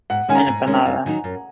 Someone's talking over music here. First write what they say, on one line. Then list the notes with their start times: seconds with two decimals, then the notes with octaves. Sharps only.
an empanada?
0.10 G#2 F#5
0.28 D#3 G#3 C#4 G#5
0.35 A#5
0.47 G#2
0.66 D#3 G#3 C#4
0.86 F#2
1.06 D#3 F#3 D#4
1.24 F#2